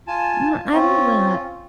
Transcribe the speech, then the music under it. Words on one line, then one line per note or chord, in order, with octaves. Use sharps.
No, I love that.
F4 G#5 A5
C4 C#4 F4